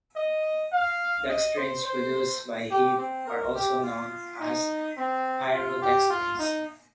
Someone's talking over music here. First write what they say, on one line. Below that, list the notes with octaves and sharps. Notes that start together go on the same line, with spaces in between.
Dextrins produced by heat are also known as pyrodextrins.
D#5
F5
D#5
C5
C5
G4
C4
A#4
G4
F4
D#4
C4
F4
G4
F4
D#4